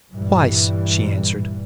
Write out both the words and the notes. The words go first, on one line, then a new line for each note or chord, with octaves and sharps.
"Twice," she answered.
G2 A#2 E3 G3